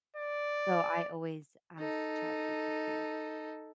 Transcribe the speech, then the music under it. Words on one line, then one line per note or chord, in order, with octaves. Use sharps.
So, I always ask Chat GPT,
D5
D#4 A4